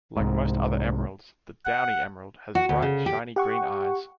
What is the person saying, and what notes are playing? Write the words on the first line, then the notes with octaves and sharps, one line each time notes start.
Like most other emeralds, the downy emerald has bright shiny green eyes.
C2 G#2
F#5
F#4
D2
C#3
G4
G4 F#5 C#6